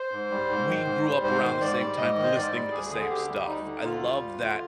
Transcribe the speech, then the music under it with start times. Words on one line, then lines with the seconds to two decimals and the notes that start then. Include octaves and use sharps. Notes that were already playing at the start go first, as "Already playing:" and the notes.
we grew up around the same time listening to the same stuff." I love that
Already playing: C5
0.12 G#2
0.31 G3
0.49 G#2
0.67 D#3
0.85 G#2
1.04 G3
1.23 G#2 C5
1.42 D#3
1.61 G#2 D5
1.80 G3
1.97 G#2 D#5
2.16 D#3
2.23 C5
2.35 G#2 D5
2.54 G3
2.71 D2 G#4
2.90 D3 G#4
3.01 G#4
3.10 D2 G4
3.28 G3
3.47 D2 D#4
3.65 D3
3.84 D2 F4
4.02 G3
4.22 D2
4.40 D3